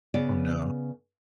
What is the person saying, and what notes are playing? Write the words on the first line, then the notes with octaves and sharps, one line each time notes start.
Oh, no.
C#3 B3 D5